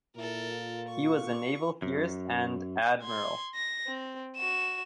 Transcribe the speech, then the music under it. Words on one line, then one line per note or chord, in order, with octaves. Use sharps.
He was a naval theorist and admiral.
A#2 E4 A4 A#4
F4
C#6
F#2
C6 G#6
A#6
C4
F#4 E7